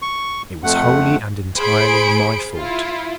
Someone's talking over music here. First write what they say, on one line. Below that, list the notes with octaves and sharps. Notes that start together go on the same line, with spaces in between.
It was wholly and entirely my fault.'
C#6
F2 A3 F#5
G#4 C5 B5 C#7 D7
E4 F4